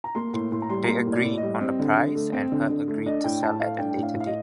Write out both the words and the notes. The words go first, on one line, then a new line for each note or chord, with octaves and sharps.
They agreed on a price and Hurd agreed to sell at a later date.
A#5
A#3 C6
A2 C6
A2 C6
A#5
G3 C6
A#5
A#3 C6
A2
D5
A2
D#5
G3
C4
D3
D3
A3
C4
D3
D3
A3
D4 D#5
A2 G5
A2 A5
A3 F5
D4 G5
A2
F5
A2
F5
D#5